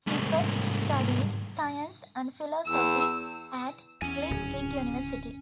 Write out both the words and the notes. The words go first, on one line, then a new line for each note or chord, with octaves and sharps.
He first studied science and philosophy at Leipzig University.
C2 G#2
E2 E6
E2 C#4 G#5
D1 F#2 C#3